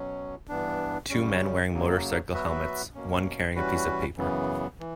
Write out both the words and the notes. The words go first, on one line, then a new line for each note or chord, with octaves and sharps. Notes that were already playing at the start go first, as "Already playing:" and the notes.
Two men wearing motorcycle helmets, one carrying a piece of paper.
Already playing: B2 F#3 C#4
G2 E3 B3 D4
F#2 C#3 G3 C#4
F#2 C#3 F#3 A#3
F#3 B3 F#4 B4 E5
B2 A#3 C#4
E3 G3 C#4 F#4 B4
F#2 C#3 E3 B3
E3